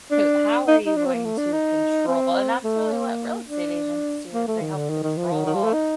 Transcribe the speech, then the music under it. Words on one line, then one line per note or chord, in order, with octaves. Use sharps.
"Who how are you going to control" and that's really what real estate agents do is they help control
D4
D#4
D#4
D4
C4
A#3
A3
D4
D#4
C4
A3
A#3
D4
A#3
A3
D#3
D3
D#3
D#3
F3
D#3
D#3
G3
A3
D#4